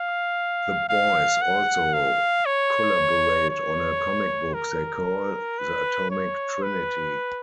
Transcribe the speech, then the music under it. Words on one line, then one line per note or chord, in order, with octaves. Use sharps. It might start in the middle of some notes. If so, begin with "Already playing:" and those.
The boys also collaborate on a comic book they call "The Atomic Trinity".
Already playing: F5
F5
F#5
F5
C#5
C#5
A#4
B4
C#5
B4